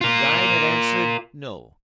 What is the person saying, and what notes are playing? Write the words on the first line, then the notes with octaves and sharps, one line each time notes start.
The guide had answered No.
F4 A#4